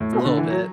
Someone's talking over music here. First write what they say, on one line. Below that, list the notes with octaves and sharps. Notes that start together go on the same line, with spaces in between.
A little bit.
A2
B2
D3
E3
F#3